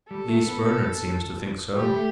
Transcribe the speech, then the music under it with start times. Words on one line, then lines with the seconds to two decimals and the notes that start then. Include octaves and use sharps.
"At least, Bernard seems to think so."
0.10 G3 A4
0.29 A3
0.47 B3
1.76 A3 G4
1.84 G3
1.93 A3